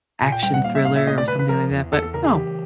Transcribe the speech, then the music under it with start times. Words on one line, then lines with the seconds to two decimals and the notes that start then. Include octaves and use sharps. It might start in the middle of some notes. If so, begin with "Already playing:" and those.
action thriller or something like that. But, oh.
0.22 A#2 G#5
0.32 G5
0.43 G3 G5
0.54 F#5
0.64 A#3 F5
0.75 E5
0.85 A#2 F5
0.96 E5
1.07 A3 D#5
1.18 D5
1.28 C#3 B4
1.39 B4
1.49 F3 A#4
1.71 E2
1.92 E2 A4
2.02 A4
2.14 C#3 A#4
2.24 G#4
2.35 E3 G4